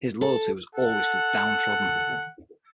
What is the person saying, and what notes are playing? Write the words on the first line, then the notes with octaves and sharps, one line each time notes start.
His loyalty was always to the downtrodden.
A4
A4 F#5